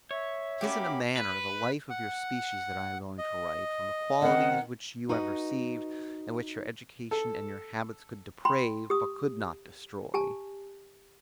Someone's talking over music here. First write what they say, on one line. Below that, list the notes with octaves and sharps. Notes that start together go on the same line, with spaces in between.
'Tis in a manner the life of your species that I am going to write, from the qualities which you have received, and which your education and your habits could deprave, but could not destroy.
C#5 E5
A#3 C#4 F#4 G4 B5 D6
B4
F#5
D#5
D#3 C4 F#5
D#4 F#4 B4 D#5
A4
G5 B5 C6
G4 D#6
G4 G#5 A5